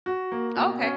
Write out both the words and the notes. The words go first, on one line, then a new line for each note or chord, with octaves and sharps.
Oh, okay.
F#4
A#3
B2
C#4